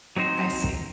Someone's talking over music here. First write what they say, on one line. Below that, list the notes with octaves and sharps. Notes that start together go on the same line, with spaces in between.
I see.
F#3 C4 D#4 C5